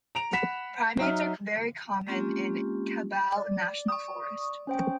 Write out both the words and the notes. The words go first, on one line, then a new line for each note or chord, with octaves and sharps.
Primates are very common in Kibale National Forest.
A#5 D7 F7
F#5 B5 B6 E7
F#3 D#4 E5 F6
G#3 A#3 C4 C#4 F4 G4
D5
C#6 D#6
C#4 C5 G5